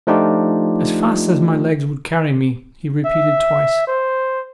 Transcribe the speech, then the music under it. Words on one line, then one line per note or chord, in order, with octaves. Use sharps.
"As fast as my legs would carry me," he repeated twice.
F3 A3 D4 D#4 F4 G4
E5
C5